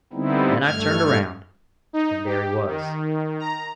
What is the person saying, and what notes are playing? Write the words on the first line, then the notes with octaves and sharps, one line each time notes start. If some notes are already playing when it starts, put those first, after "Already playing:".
Then I turned around and there he was.
D3 G3 B3 C4 D#4 E4
G2 A3 F6 G#6
D#4
G4
D#3
A#5